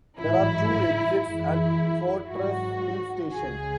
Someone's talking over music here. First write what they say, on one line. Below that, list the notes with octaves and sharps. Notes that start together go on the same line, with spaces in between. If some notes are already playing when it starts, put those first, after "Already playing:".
There are two exits at Fortress Hill station.
A1 G#2 F#3 E4
F#2 E3 G#3 E4
G#1 G#2 F#3 F#4
C#2 C#3 G#3 G#4